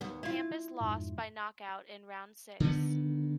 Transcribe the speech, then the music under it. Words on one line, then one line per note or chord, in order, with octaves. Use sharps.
Campas lost by knockout in round six.
D#2 B3
E4 F4
F2 G#2
D3 D#3 A3 B3